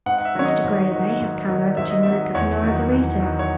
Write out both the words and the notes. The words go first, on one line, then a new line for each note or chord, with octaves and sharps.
Mr. Grey may have come over to America for no other reason.
G#2 F#5
F#5
E5
D#3 F#3 C#5
D#5
G#2
D#3 F#3
G#2
D#3 F#3
G#2 E5
D#5
D#3 F#3 E5
E2 C#5
D#3 F#3
E2
D#3 F#3
C#5